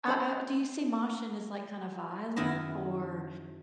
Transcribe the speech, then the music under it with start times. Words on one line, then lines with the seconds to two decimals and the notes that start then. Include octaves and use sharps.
I I Do you see moshing as, like, kinda violent or
0.07 C#4 C5 B5
2.36 F#2 D#3 E4 G#4 D#5 B5